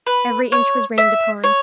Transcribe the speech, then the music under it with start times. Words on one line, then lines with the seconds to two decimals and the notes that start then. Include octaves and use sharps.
Every inch was rained upon.
0.07 B4
0.52 C#5
0.98 E5
1.44 C#5